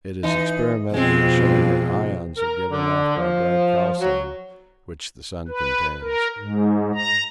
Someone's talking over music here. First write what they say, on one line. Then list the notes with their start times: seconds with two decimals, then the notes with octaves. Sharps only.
It is experimentally shown that ions are given off by dried calcium, which the sun contains.
0.23 E3 D#4
0.94 F2 B2 G#3 C4
2.37 A#4
2.70 D3
3.16 F3
3.99 F#3
5.48 B4
6.02 A#4
6.38 G#2
6.95 A#5